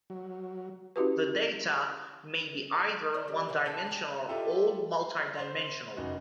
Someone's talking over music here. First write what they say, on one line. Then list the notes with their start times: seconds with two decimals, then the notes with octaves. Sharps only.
The data may be either one-dimensional or multi-dimensional.
0.10 F#3
0.96 C#4 E4 F#4 G4 B4
3.14 D4 C5
3.28 G3
3.48 E3 F3 D4
3.66 G#4 A4 C5
3.87 G4 G#4
4.28 E4 F4 G4 A4 D#5 E5
4.99 C5
5.36 C5 C6
5.97 F1 F#2 D#4 F#4